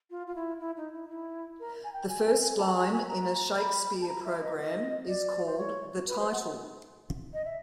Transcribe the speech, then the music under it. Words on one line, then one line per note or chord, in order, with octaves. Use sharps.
The first line in a Shakespeare program is called the 'title'.
F4
F4
E4
E4
D#4
E4
E4
A#4
G#5
G5
G#5
G#5
G#5
A5
G#5
G#5
A#5
B5
A5
A#5
E5
D#5
D#5
D5
C5
C#5
B4
C5
F#5
D#5
E5